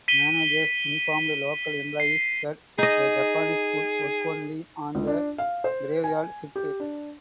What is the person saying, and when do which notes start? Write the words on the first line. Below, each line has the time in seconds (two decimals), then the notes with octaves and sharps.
Managers informed local employees that the Japanese would work only on the graveyard shift.
0.08 B6 D#7 G7
2.00 C7
2.79 D#4 G#4 D#5
4.95 C#2
5.07 D4
5.38 F5
5.64 C5
6.04 G#5
6.56 G4
6.80 D4